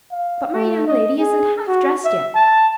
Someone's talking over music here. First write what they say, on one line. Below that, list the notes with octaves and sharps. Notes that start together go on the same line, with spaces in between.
But my young lady isn't half dressed yet.
F5
A3
D#5
G#4
F#4
E5
A5